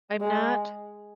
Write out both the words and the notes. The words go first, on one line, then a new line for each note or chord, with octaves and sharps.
I'm not
G#3